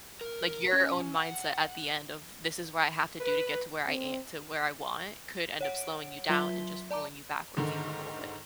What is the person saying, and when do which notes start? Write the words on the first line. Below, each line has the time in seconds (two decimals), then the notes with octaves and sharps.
Like, your own mindset at the end of, "This is what I have to do to get to where I am to where I want," could end up slowing you down, and just pulling you backwards even a little bit.
0.21 A#4
0.73 C#4
1.16 F#5
3.21 B4
3.87 C4
5.61 C#5 F#5 D7
6.29 F#3 F4 E5 C6 B6 G7
6.91 D5 A5 A#5 D6
7.57 G#2 D3 D#3